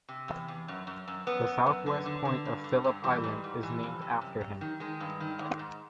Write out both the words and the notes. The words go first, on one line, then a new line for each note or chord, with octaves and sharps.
The south-west point of Phillip Island is named after him.
C3
E2
E2
F#2
F#2
F#2
F#2 B3
F#2
F#2
D3
D3
D3
G2
D3
G2
E3 G3
G#2
G#2
E3
F2
C3
F#2
F#2
D#3
D#3 G#3
G2
D#3
G#2
G#2